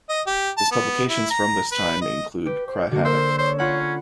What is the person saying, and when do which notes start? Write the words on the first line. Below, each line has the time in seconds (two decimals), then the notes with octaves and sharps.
His publications from this time include Cry Havoc!
0.09 D#5
0.27 G4
0.57 A5
0.71 B3
1.09 E4
1.31 A#5
1.72 B4
2.01 D#5
2.46 G4 B4
2.67 C5
2.91 D3 A#3 F#4
3.05 A#4 C5 E6
3.38 C5 C#5
3.59 C#4 F4 F#5 B5